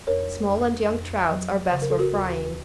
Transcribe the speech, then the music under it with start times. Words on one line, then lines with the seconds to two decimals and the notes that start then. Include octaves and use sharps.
Small and young trouts are best for frying.
0.07 F2 A#4 C#5
0.49 F2
0.89 F2
1.31 F#3
1.72 C#3 C5
1.82 A#4
1.90 A4
1.99 F#4 A#4
2.14 D#2